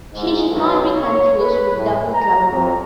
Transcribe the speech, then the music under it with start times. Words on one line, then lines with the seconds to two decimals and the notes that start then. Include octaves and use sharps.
He should not be confused with Doubleclouder.
0.12 G#2
0.48 B1
0.97 C#5
1.39 B4
1.76 A2
2.13 A#5
2.50 F2